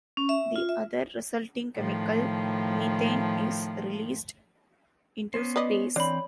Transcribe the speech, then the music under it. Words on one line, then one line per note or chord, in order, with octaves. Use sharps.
The other resulting chemical, methane, is released into space.
C#4
E5
F4
E5
A2 D#3 F3
B3 C#4 C5
B4 D5 D#5
E3 C4 D4 C#5 B5